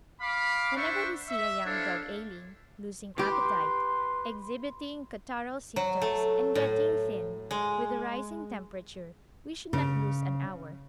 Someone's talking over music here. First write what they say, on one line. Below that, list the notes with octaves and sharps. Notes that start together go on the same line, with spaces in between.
Whenever we see a young dog ailing, losing appetite, exhibiting catarrhal symptoms, and getting thin, with a rise in temperature, we should not lose an hour.
F5 B5 D6
D4 C5 E5 F#5 C#6
E5
D4 E4 A4 C5 C#5 F5
G4 B4 C6 D6
F#3
A3
A2
G#3
C#3